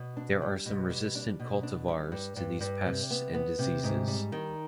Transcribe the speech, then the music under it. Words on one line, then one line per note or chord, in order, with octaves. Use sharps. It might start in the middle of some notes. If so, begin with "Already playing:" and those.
There are some resistant cultivars to these pests and diseases.
Already playing: B2
D4
G3
B2
G3
D4
B2
D4
G3
G2
G2
G2
C3
B3
B3
C3
G#2
G3
D#3